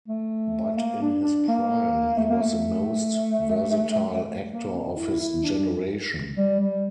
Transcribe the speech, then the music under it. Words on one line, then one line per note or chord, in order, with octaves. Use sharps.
But in his prime, he was the most versatile actor of his generation.
A3
A#3
D4
D4
A#3
A3
A#3
A3
A#3
C4
E4
E4
D4
G3
G3